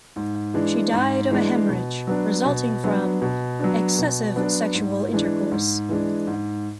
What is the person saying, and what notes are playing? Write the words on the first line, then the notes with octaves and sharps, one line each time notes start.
She died of a hemorrhage resulting from "excessive sexual intercourse".
G#2
E3 G#3 D4
G#2
E3 G#3 D4
B2
F#3 B3 D4
B2
F#3 B3 D4
B2
F#3 B3 D4
B2
F#3 B3 D4
G#2
E3 G#3 D4
G#2
E3 G#3 D4
G#2